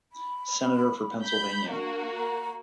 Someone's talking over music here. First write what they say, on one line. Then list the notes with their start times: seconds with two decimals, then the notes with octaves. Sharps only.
Senator for Pennsylvania.
0.12 B5
1.24 B5 G6
1.69 A#3 D4 F#4
2.15 A#5